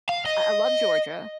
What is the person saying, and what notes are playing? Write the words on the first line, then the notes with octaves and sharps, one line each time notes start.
I I love Georgia,
F5
D#5